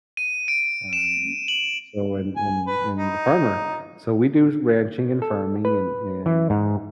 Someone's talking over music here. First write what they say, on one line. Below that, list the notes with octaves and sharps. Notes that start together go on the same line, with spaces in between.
Um, so, and and and a farmer. So, we do ranching and farming and and,
D#7
D7
E7
F#7
G#5
B4
D#4
A4
B4
E3
G#2